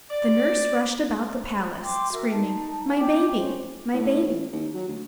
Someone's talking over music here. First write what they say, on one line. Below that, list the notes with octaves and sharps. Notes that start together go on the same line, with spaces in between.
The nurse rushed about the palace, screaming, "My baby! my baby!"
D5
G5 C6 D6
F#4 A#4 E5
D#4 A5
C#5 F5
G5 D6
C#4 C5
A2
A1
D#2
F#3
D2